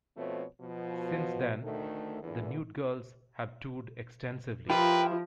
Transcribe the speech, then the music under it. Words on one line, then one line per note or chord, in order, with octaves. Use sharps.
Since then, the Nude girls have toured extensively.
B2 F3 A3 C4 C#5
B2 F3
D2 D#3 A3
E2 A#2 D3 E3
F3 E4 F4 G4 A#4 B4 G5